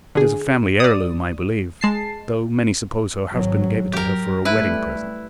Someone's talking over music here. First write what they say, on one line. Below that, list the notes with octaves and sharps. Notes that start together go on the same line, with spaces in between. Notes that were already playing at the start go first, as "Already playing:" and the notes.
It is a family heirloom I believe, though many suppose her husband gave it to her for a wedding present.
D3 G#4
D5 D#6
G#3 A5 C7
G#1 F#3
F#3 G4 A#4
G3 A3 E4 B4